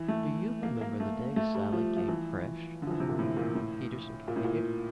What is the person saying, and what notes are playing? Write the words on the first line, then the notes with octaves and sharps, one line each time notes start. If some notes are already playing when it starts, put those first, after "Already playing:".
"Do you remember the day Sally came fresh?" Peterson continued.
Already playing: E3
A3
A#3
A#3
A3
A3
G3
F3
F3
E3
D3
F3
E3
C3
A#2
A2
A#2
A2
A#2
A2
A#2